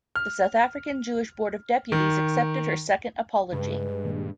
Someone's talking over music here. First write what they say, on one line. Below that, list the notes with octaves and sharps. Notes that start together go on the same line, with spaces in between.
The South African Jewish Board of Deputies accepted her second apology.
F6
D#3
G2 C#3 G#3 B4
A#2 D#3 A#3